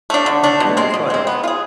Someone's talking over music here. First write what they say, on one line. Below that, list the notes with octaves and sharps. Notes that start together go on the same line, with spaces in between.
I think, like,
A3 D4
D3
A3 D4
B2
G#3 C4
B2
G#3 C4
B3
F4
G#4